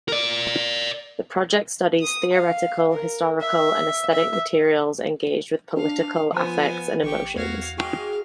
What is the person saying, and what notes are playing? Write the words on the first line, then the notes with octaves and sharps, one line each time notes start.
The project studies theoretical, historical, and aesthetic materials engaged with political affects and emotions.
A#4 D5
D#6
F5
A#4
E5
E5
D4 F5
F3 B3 F4 C5 G#5
A1 G4 C#6
E2 F#4 F5 G#6
G#2 G#3 F#4 F5 G5 G#5